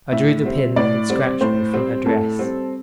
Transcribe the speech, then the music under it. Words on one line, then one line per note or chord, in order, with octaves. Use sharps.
I drew the pin that had scratched me from her dress.
A2 E5
G3 C4
A2 D5
G3 C4
A2 C5
G3 C4
A2 A4
G3 C4